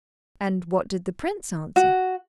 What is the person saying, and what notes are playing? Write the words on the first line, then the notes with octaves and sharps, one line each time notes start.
'And what did the Prince answer?'
F#4